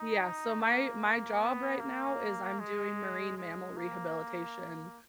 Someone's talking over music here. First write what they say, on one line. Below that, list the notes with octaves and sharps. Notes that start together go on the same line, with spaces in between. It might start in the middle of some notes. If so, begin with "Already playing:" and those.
Yeah, so my my job right now is I'm doing marine mammal rehabilitation,
Already playing: D#4
A#3
B3
A#3
G#3
G#3
A#3